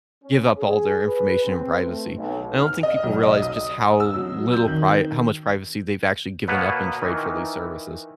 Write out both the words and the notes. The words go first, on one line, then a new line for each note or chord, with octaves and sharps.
give up all their information and privacy. I don't think people realize just how little pri how much privacy they've actually given up in trade for these services.
C#4
G#4
B4
C4
A3
B1
F6
D#5
B1
D#5
D#6
E6
F#3
G6
D#3
B2 A#3 B3 B4 C#5
D#3 E3